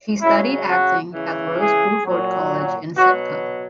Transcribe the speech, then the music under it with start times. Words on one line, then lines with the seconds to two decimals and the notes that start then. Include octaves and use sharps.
She studied acting at Rose Bruford College in Sidcup.
0.22 C#3 F#3 E4
0.68 F#4
1.13 C#3 E3
1.59 G#4
2.05 A#2 F#3
2.95 B2 F#3 F#4